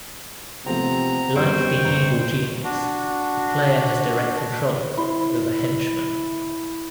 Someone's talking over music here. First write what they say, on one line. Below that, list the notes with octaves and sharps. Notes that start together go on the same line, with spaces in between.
Like the Evil Genius, the player has direct control over "Henchmen".
C3 F3 A3 B3 C4 A#5
G1 F#2 G3 C5 G5 C#6 G6
G1 F#2 A#5 F7
D4 F#4
E4 C6